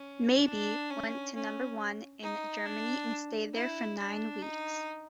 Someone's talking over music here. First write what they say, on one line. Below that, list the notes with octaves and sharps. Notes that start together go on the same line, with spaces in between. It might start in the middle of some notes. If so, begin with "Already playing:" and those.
"Maybe" went to number one in Germany and stayed there for nine weeks.
Already playing: C#4
D4
C#4
C#4
D#4
D4
E4
D4
D#4